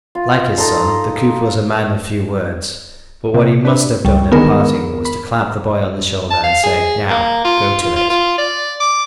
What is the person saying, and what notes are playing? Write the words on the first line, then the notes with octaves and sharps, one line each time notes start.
Like his son, the cooper was a man of few words; but what he must have done at parting was to clap the boy on the shoulder, and say: "Now, go to it!"
F4
D#4 A4 A#5 C6
C3
D4 B4
C#2 G3
D3 D#3 G#3 B3 A#4
B5
A5
F5
G#4
A#3
F4
F4
F4
F4
D5
D6